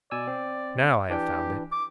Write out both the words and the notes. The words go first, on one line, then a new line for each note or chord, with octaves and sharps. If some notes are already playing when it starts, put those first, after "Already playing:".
'Now I have found it.
B2 D5 G#5 E6
C4
E3 D4 G4 G5
D6